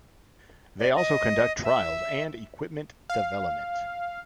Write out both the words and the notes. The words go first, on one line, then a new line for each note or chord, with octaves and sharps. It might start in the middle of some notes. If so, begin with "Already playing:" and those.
They also conduct trials and equipment development.
D5
D#5
E5
F5